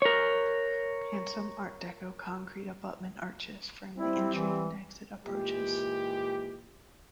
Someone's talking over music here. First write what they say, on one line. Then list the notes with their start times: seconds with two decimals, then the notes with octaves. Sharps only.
Handsome art-deco concrete abutment arches frame the entry and exit approaches.
0.02 A#4 C#5
3.97 G3 C4 E4
4.34 E3
5.26 A#2 E3 G#3 G4